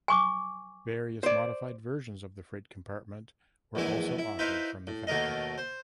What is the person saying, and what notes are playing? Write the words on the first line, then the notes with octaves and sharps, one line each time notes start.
Various modified versions of the freight compartment were also offered from the factory.
G#5 C#6 D6
C5 D5
A#1 E2 E3 G#3 E4 G#5
E4
D#4 E4 B4 C5 F5 B5
A2
D#2 B2 A3 A#4 D#5
C5